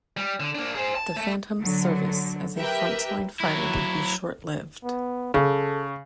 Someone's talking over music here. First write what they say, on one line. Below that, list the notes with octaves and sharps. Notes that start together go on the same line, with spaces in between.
The Phantom's service as a frontline fighter would be short-lived.
G3
D3
A#3 D4
G#4 C5
A5
A3 A4
D3 F#3
G4 A#4 B4 E5 G5
F#3 E4
B3
C#3 A4